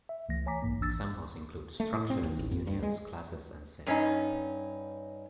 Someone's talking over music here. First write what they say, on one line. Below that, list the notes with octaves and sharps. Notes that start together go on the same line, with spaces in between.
Examples include structures, unions, classes, and sets.
E5
C#2 E3 A3 A#6
C#5 G#5 A#5 D6 B6
B1 G#2 E3 A#3
A1 E2 E3 D4 E6 A6
A3
A2
C4
D#2
A1
F2
G2
G#3
G2 C#4 D#4